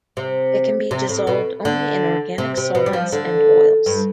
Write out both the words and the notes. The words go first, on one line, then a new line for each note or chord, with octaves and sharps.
It can be dissolved only in organic solvents and oils.
C3
C3
A2
B2
D3
C3
C3
B2
G3
F3
D3
G2